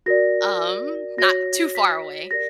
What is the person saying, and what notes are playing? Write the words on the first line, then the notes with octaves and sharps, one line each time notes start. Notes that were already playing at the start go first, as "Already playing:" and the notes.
Um, not too far away.
F#4 A#4 D5 A#6
F#4 C#5 A#6
B6
G4 A#4 D5 A#6